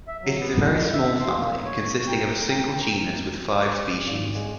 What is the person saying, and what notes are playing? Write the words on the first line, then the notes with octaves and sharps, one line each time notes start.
It is a very small family, consisting of a single genus with five species.
E5
F#3
B3
D#5
E5
C6
A#3
C#5
A#4 G5
D6
G#1
G#3